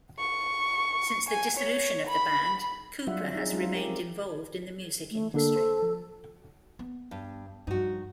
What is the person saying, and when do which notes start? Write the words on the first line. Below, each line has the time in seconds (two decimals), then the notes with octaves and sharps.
Since the dissolution of the band, Cooper has remained involved in the music industry.
0.19 C#6
1.29 G#5
1.58 C#5
2.08 B5
3.07 F#3 G3 D4 F4 E5 F#5
3.23 C4
3.35 D#4 G#4
3.53 F#3 G#3 C#4 D#4 F4
3.72 G4 A#4
3.88 C4
5.11 A3
5.34 D3 A#3 D4 A4
5.56 C5
5.82 F3
6.79 B3
7.11 G2
7.67 G2 F3 D#4 F#4